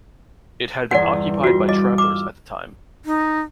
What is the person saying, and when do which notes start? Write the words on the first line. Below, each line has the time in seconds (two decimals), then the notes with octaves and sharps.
It had been occupied by travellers at the time.
0.91 G1 E2 D5 F#5 C6
1.44 G3 F4 F#4
1.69 F4 D#5 D6
1.98 D6 E6 F6
3.05 D#4